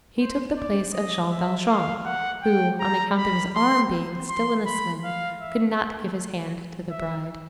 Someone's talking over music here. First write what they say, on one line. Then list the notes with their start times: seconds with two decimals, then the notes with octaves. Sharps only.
He took the place of Jean Valjean, who, on account of his arm being still in a sling, could not give his hand to the bride.
0.19 C5
0.57 D5
0.93 D#5
1.31 E5
1.68 F5
2.05 F#5
2.43 G5
2.80 A#5
3.17 B5
3.55 C6
4.29 C6
4.66 B5
5.04 F5
5.40 E5
6.90 E5